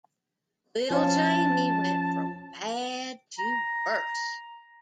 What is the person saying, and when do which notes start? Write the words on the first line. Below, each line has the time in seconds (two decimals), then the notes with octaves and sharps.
Little Jamie went from bad to worse.
0.90 F3 C#4 F4 A5
3.38 A#5